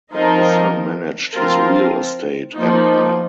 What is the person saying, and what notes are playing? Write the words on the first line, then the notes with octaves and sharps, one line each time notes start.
His son managed his real estate empire.
F3 C4 D#4 A#4 D#5
F3 C4 F4 A#4
F3 A#3 D#4